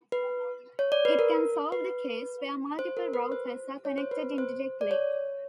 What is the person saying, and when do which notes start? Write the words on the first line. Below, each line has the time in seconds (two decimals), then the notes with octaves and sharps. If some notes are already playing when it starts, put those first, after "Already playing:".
It can solve the case where multiple routers are connected indirectly.
0.12 B4
0.79 C#5
0.92 D5
1.05 B4
1.19 A#4
1.72 B4
2.79 C5
2.97 A#4
3.14 B4
3.32 C5
3.85 C#5
3.98 C5
4.11 B4
4.38 C5
4.81 D5
4.91 C#5